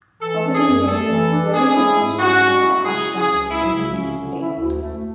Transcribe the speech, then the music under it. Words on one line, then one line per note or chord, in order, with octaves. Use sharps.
Over the years, various attempts to return the ash dumped in Haiti failed.
E3 A4
D4
G#4
F#2
A3 A4
E3
D4
G#3 G#4
E4
G#2
C#4 F#4
G#3
E4
C#3 G#4
C#4
G#4
C#2
G#3 E4
C#3
C#4
D3
E4
D2
A3